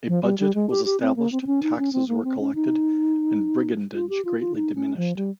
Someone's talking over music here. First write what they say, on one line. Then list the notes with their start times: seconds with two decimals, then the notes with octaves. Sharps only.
A budget was established, taxes were collected, and brigandage greatly diminished.
0.08 F3
0.23 G3
0.39 G3
0.55 G#3
0.70 G4
0.85 G4
1.01 C4
1.16 A#3
1.32 C4
1.42 C4
1.47 C#4
1.63 D#4
1.78 C#4
1.93 C4
2.08 A#3
2.24 C4
2.39 C#4
2.55 D#4
3.94 F4
4.09 G4
4.25 F4
4.40 F4
4.56 D#4
4.76 C#4
4.97 F3
5.17 G3